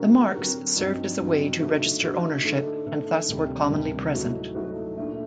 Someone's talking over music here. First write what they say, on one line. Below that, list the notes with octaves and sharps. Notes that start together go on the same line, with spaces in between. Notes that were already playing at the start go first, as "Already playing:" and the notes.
The marks served as a way to register ownership and thus were commonly present.
Already playing: D3 F#3 C4 F#4 A#4
D3 F#3 C4 F#4 A#4
G2 F#3 C4 D#4
G2 F#3 C4 D#4
D3 A3 D#4 F#4
D3 A3 D#4 F#4
D3 A3 D#4 A4
D3 A3 D#4 A4
D2 C3 D#3 G3
D2 C3 D#3 G3
A2 F#3 A3 D#4 F#4
A2 F#3 A3 D#4 F#4
A#2 A3 D4